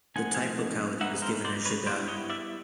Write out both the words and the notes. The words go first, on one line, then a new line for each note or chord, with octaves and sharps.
The type locality was given as Jeddah.
F3 A3 C4 D#4 F#5 G#5
G#3 B3 D#4 E5 F#5
A#4 C5
C5 D5
B4 C#5
G3 B3 E4 C5 D5
C#5 D#5
D5 E5